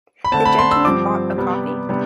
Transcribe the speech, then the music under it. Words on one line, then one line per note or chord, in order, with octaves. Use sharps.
The gentleman bought a copy.
B5
D3 A3 C4 A5
B5
C6
E6
G2 F3 C4 D6
C3 G3 B3
C3 G3 B3 D4